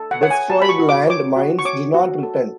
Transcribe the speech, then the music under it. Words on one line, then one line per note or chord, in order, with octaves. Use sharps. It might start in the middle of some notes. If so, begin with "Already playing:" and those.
Destroyed land mines do not return.
Already playing: A4
F#5
C#5 F#5
G#5
F#4 A5
B5
C#6
F#4
D6
C#5 D6
F#4
C#6
C#5 D6
F#4
A4